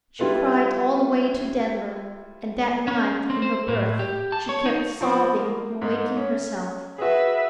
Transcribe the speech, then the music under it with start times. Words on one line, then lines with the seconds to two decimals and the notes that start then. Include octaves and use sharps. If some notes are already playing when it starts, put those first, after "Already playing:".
She cried all the way to Denver, and that night, in her berth, she kept sobbing and waking herself.
0.19 G3 E4 F4 A4 B4
2.88 C#4
3.30 C4
3.42 C5
3.68 A2
3.99 G4
4.32 A5
4.49 C#5
4.66 D#4
5.01 F3 C4 C#6
5.38 A#3
5.82 G#2 D#4
6.17 C#4
6.98 F#4 G#4 B4 E5